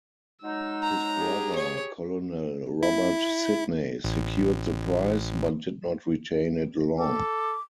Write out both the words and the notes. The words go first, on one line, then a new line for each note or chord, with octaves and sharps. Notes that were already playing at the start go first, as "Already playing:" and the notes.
His brother, Colonel Robert Sidney secured the prize, but did not retain it long.
F#3 G#3 D#4 E6
A#5
G4 G#4
C#5
E4
A1
A4 D6